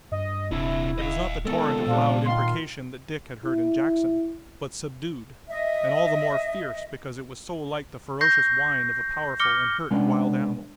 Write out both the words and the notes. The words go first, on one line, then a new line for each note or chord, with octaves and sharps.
It was not the torrent of loud imprecation that Dick had heard in Jackson, but subdued, and all the more fierce because it was so like the ferocious whine of a powerful and hurt wild animal.
G2 D#5
D#1 C3 D4 E4
D#5 F5
A#2 D#3 G#3 B3 A4
A#2 F3 D4 F4
D#3 F4 C6
E4
D#5 E5
C#6 G6 A#6 C7
D6 F6 A#6 C#7 G7
C3 G#3 B3 C#4 D4